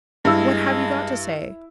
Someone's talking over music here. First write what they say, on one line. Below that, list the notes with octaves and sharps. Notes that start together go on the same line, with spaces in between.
What have you got to say?
G2 G#3 E4 E6